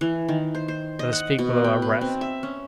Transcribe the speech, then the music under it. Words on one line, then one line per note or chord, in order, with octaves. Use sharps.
"Let us speak below our breath."
E3
D#3
C5
C5
D#5
F#5
B2
G5
B4
C4
E5
C#4